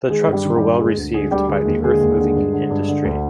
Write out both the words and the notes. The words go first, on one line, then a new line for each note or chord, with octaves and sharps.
The trucks were well received by the earth moving industry.
D#3 G#3 G#4
G2
G3 G4
D#3
G3 G4
G2
D3 G#3 G#4
D2
D3 G#3 G#4
D2 G3 G4
D3 G#3 G#4
D#2
D3 G#3 G#4
D#2
D3
G2
D3
G2
D3
D2